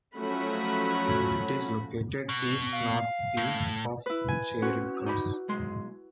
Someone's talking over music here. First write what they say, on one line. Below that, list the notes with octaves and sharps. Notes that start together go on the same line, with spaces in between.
It is located east north-east of Charing Cross.
F3 F#3 A3 C#4 F#4 B5
B2
F5
A2
E4 B4
G#5
C4 C#4 F#4
D#4 D5 B5
B1 G#3 C6